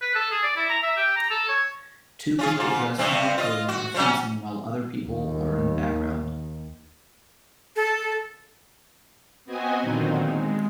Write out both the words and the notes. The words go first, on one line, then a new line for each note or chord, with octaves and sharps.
Two people dressed in white clothing are fencing while other people are in the background.
B4
A4
G#4
D5
E4
A#5
E5
G4
A#5
A4
C#5
C#4 F4 G#4
G#2 F4
G2 C3 C4
F4 D#5
F#4
F3 F#3 C#4
D#2 D#3
A4
B3 C4 F#4 D#5 G#5
A#2 D3 D#3 F#3 C4 D#4
G#3